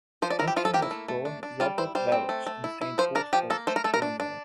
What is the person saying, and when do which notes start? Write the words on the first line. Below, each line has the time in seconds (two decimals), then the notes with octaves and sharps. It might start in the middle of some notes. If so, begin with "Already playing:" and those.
Duncan was born Robert Welch in Saint Austell, Cornwall.
0.22 F3 C5
0.30 D5
0.39 E4 A#4
0.48 G4
0.56 F3 F4
0.65 A4
0.74 A#3 G4
0.82 E4
0.91 A3
1.08 A3
1.25 D4
1.43 D4
1.60 G3 F4
1.78 E4 C5
1.95 G3 C5
2.12 C4
2.29 A3
2.47 A3
2.64 E4
2.81 E4
2.98 F3 C5
3.15 D4 A#4
3.33 F3 G4
3.50 A#3 A4
3.67 A3 C5
3.76 A#4
3.84 A3 A4
3.94 A#4
4.02 D4
4.20 D4